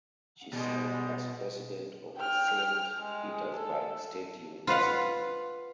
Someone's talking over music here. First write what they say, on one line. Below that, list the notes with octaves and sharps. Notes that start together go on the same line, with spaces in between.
She served as president of Saint Petersburg State University.
B2 G3 G#3
G5 F6
G#3
A4
F4 B4 F5 F#5